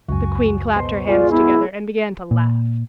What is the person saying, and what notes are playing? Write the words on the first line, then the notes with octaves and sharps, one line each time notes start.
The queen clapped her hands together, and began to laugh.
C#2 F#2 F#4 G#5
B2 C5 C6
G#3 F4 D5
B3 E4
A#2